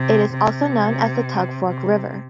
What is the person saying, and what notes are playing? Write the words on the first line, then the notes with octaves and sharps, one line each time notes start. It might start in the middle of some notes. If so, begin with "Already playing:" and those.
It is also known as the Tug Fork River.
Already playing: C3
C3
C3